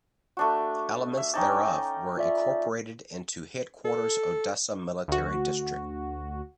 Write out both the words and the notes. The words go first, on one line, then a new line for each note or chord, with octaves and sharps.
Elements thereof were incorporated into Headquarters Odessa Military District.
A3 D4 F#4
E5
C#4 D#4 G5 A5 A#5 D6
F4 D5 E5
A4
D2 F#4